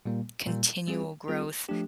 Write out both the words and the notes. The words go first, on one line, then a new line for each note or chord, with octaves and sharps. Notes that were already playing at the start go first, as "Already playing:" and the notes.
continual growth,
A#2 G3 A#3
A#2 G3 A#3
G3 C4 F4 G#4
G3 C4 F4 G#4
F3 A3 D4 G4